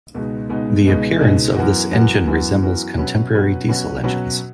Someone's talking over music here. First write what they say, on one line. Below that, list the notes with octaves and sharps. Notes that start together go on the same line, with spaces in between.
The appearance of this engine resembles contemporary diesel engines.
C#2 B2 G#3 B3 D#4
C#2 B2 G#3 B3 D#4
C#2 B2 G#3 B3 D#4
C#2 B2 G#3 B3 D#4
F#2 E3 B3 F#4
F#2 E3 B3 F#4
F#2 E3 B3 F#4
F#2 E3 B3 F#4
B2 F#3 C#4 F#4 B4
B2 F#3 C#4 F#4 B4
B2 F#3 C#4 F#4 B4
B2 F#3 C#4 F#4 B4